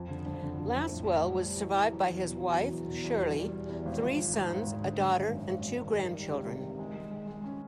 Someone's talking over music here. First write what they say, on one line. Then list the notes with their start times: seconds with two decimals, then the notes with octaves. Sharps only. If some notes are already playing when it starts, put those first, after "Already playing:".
Lasswell was survived by his wife, Shirley, three sons, a daughter and two grandchildren.
Already playing: F2
0.10 D3
0.26 F2
0.42 D3
0.59 F2
0.75 F2
0.92 A2
1.08 A2
1.24 G3
1.40 G3
1.57 E3
1.74 E3
1.90 F#3
2.06 E2
2.22 B2
2.39 F#3
2.54 E2
2.71 E2
2.88 B2
3.04 E2
3.20 G3
3.37 G3
3.52 G3
3.69 E2
3.85 G#1
4.02 F3
4.18 F3
4.33 G#2
4.50 G#1
4.67 G#1
4.83 D3
5.00 G#1
5.15 G#1
5.33 F#2
5.49 G#1
5.65 G#1
5.80 D#3
5.97 G3
6.14 G3
6.29 C#2
6.46 C3
6.62 D#3
6.79 G#3
6.96 G#3
7.11 G#3
7.28 G#3
7.44 C#4